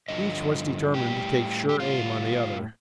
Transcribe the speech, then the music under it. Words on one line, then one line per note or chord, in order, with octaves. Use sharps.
Each was determined to take sure aim on the other.
G2 D3 F3 D#5
A2 G3 G4
G4
A2 G3 F4